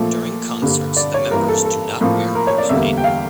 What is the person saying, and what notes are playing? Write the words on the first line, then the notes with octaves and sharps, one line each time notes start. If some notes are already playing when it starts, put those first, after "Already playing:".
During concerts the members do not wear corpse paint.
Already playing: A#2 F3 A3
G2 D3 G3 A#3
D5
C#5
G2 E3 A#3 A#4
A4
A4
A2 F3 A#3
A#4
C#5
D5
E2 D3 G3 A#3 E5
G5
F5